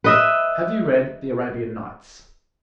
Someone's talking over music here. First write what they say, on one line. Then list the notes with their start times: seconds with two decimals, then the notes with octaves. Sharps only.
"Have you read the 'Arabian Nights'?"
0.04 B4 D#5 E5